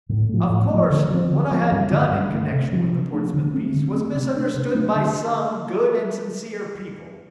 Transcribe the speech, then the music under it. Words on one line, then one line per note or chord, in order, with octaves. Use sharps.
Of course what I had done in connection with the Portsmouth peace was misunderstood by some good and sincere people.
A2
F3 A3
A2
F3 A3
D3
F3 C4
D3
F3 C4
G2
D3 A3
G2
D3 A3
C3
F3 A3 D4
C3
F3 A3 D4
D3
A3 C4
D3
A3 C4
C3
A3 D4
C3
A3 D4
D3